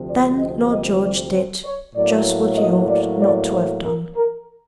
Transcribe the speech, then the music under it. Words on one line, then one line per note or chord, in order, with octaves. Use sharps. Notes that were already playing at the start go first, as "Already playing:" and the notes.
Then Lord George did--just what he ought not to have done.
Already playing: D2 C3 F3
D5
D#5
D#5
D5
C5
C#5
A2 F#3 A#3 D5
D#5
D5
D5
C5
A#4
A#4